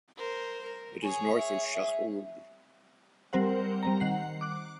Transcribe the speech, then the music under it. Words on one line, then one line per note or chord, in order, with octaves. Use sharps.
It is north of Shahrud.
A#4 C5
A#4
G#4 C#5 G#5
E5
E5
G3 C4 A#4 C5 F#5
G3 C4 A#5
D#3 F#5 C7
D6 F#6